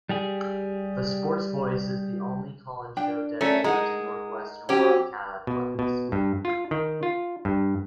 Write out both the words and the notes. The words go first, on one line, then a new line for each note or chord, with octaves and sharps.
The SportsVoice is the only call-in show dedicated to Northwestern Wildcat Athletics.
G3 G4 G#4
D4 G5
A3 C#4 A4 A#4 D5 E5
G#3 D#4 F#5 A#5
F#3 C4 C#4 G4 A5
B2
B2
G2
F4
D#3
F4
G2